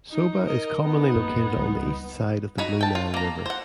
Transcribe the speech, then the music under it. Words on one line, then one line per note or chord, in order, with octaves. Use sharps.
Soba is commonly located on the east side of the Blue Nile river.
D#4
A#4 D#5
B3 D#4
F#2 A#3
C#2 G3
D#4 F#4 B5
G5 A5
F4
A#3 A#5
C5 F#5